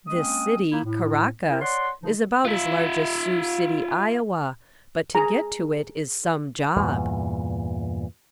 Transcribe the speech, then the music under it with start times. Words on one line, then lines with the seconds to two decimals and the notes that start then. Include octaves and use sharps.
This city, Caracas, is about as large as Sioux City, Iowa, but to get to it is some job.
0.08 G#3 A#3 C4 C#4 D#6
0.72 A#3 D#4 E4
0.85 A2
1.50 E4 A#4
1.62 C#5 D5 F#5 C6
2.03 C#3 E3 F3 G#3 D#4
2.45 F4 E5
5.15 G#4 A#5
6.76 E2 G2 A#2